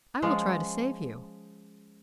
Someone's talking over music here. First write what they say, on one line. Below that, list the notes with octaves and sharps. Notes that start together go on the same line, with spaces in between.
I will try to save you.
F3 G#3 C#4